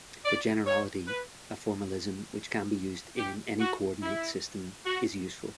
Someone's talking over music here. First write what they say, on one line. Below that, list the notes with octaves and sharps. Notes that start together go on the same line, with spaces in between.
For generality, a formalism which can be used in any coordinate system is useful.
D5
C#5
B4
G4
F#4
E4
F#4